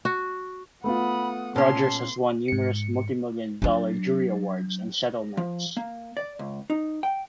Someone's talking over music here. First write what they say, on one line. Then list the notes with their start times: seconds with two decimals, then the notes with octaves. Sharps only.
Rogers has won numerous multimillion dollar jury awards and settlements.
0.05 F#4
0.84 A3 B3 F4 F#5 B5 D#6
1.56 A#2 C#4 A5 C6
2.48 G#2 C#7
3.62 F#3 D4
5.37 F3
5.77 A#3
6.17 D5
6.39 C#2
6.70 D#4
7.03 G5